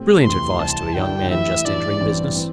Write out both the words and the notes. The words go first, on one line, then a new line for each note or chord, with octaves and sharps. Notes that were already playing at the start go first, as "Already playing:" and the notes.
Brilliant advice to a young man just entering business!
Already playing: A2 A3 C4 G4
D2 C3 E3 A3 C6
C2 C3 E3 A5
G2 D3 G3 E4 G4 G5
A2 E3 G3 E4 E5
A2 E3 G3 D4 D5
A1 G2 E3 C4
E3 C4